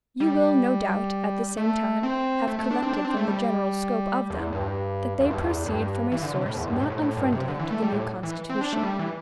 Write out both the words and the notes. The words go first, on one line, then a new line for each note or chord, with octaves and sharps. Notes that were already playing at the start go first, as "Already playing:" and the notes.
You will, no doubt, at the same time, have collected from the general scope of them, that they proceed from a source not unfriendly to the new Constitution.
G3
A3
C4
A3
A3
D4
C4
D4
C4
A3
G3
E2
G2
E2
G2
E2
G2
E3
D3
C3
A2
E2
G2
A2
A2
A2
G2
C3
D3
E3
A3
G3
A2
E3
C4
D4
A3
G3
E3